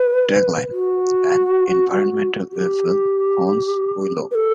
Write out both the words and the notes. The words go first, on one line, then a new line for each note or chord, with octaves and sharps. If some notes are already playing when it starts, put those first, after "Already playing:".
Tagline: "An environmental evil haunts Willow".
Already playing: B4
F#4
G4
B4
A4